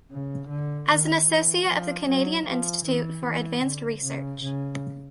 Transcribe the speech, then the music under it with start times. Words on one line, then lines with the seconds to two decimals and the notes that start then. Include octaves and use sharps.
As an Associate of the Canadian Institute for Advanced Research.
0.11 C#3
0.50 D3
0.90 D#3
1.28 E3
1.67 F3
2.07 F#3
2.47 F3
2.86 E3
3.26 E3
3.65 D3
4.03 C#3
4.43 C#3